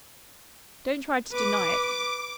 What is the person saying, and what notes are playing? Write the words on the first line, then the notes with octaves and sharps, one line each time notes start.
Don't try to deny it.
B4 D6